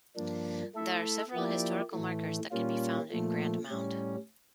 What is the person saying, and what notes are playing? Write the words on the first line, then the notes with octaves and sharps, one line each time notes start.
There are several historical markers that can be found in Grand Mound.
G2 F3 A#3 D4
A3 E4 A4 E5
F3 A#3 E4 G4 D5
A2 E3 A3
A#2 G3 A#3 C#4 F4
A#2 F3 A3
A2 G3 C#4